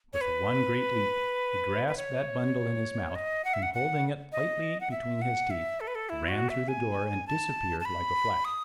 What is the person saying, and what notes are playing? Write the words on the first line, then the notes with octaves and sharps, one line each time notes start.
With one great leap, he grasped that bundle in his mouth and, holding it lightly between his teeth, ran through the door and disappeared like a flash!
C#5
B4
B4
C#5
D#5
F#5
E5
F#5
F#5
D#5
F#5
E5
F#5
E5
A4
B4
A4
E4
F#4
E5
G#5
A5
A5
B5
D#6